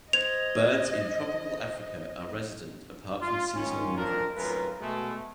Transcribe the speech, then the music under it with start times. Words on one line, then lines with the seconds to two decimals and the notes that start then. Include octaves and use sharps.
Birds in tropical Africa are resident apart from seasonal movements.
0.13 C5 D#5 G#6 F7
3.20 F4
3.54 D#3 C#4 F4
3.97 F2 F3 D4 A#4
4.35 G#1 F#2 A3 F4 A#4 B4
4.80 B2 G#3 A3